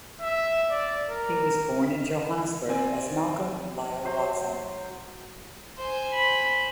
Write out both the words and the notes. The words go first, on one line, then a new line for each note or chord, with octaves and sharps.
He was born in Johannesburg as Malcolm Lyall-Watson.
E5
D5
A#4
C4 D5 G#5
F#3 C5
C5 G#5
B5